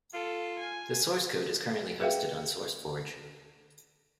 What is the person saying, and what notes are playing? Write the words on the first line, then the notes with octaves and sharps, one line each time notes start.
The source code is currently hosted on SourceForge.
F4 A4
G#5
G#4 B4 E5 F5 G5